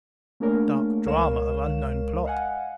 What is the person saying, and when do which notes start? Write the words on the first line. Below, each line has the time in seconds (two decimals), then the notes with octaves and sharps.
Dark drama of unknown plot!
0.40 A3 A#3 D4 G#4 A#4 C#5
1.06 C#2 G#3 A#4 C#5 F5 E7
2.25 D#5 F5 F#5 G#5